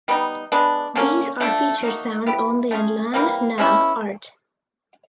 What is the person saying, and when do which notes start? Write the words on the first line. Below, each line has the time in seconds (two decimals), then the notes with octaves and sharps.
These are features found only in Lan Na art.
0.08 G3 B3 D#4
0.52 G#3 B3 D4
0.95 D3 F#3 A#3 C#4
1.40 F3 A3 D4
1.83 A#3 D#4 F#4
2.27 B3 E4 G4
2.71 A3 C#4 F4 G#4
3.14 C3 E3 G3 A#3
3.58 B2 G#3 C#4 E4